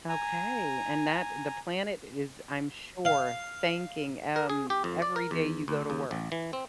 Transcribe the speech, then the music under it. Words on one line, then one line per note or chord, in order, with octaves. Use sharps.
Okay, and that the planet is, I'm sure, thanking, um, every day you go to work.
G#5 A#5
F5
A#4
G#4
G4
F2
D5
A#4
E2
D2
D#2
A1
E3
C4